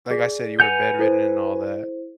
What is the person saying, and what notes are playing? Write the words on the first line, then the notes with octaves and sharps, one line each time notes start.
like, I said, you were bedridden and all that.
G#4 D5
B4 F#5 G#5 G6 C#7 F7
E4 A4 C5